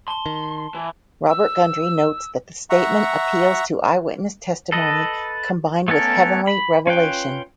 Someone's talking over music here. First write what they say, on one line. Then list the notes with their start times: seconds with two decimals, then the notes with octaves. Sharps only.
Robert Gundry notes that the statement appeals to eyewitness testimony combined with heavenly revelation.
0.08 A5 C6 G7
0.26 D#3
0.74 E3
1.28 E6
2.70 E5 F#5 A#5 C#6
4.72 A4 B4 D#5
5.88 A3 B3 C#4 A4 A#4
6.47 B5
6.87 C#4 F4 B4 G5